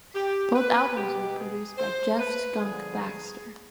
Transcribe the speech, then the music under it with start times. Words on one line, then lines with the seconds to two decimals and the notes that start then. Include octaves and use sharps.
Both albums were produced by Jeff "Skunk" Baxter.
0.15 G4
0.55 B4
0.97 B2 G#3 B3 G4
1.37 G#4
1.78 C5
2.19 B4
2.60 D3 F3 B3 G#4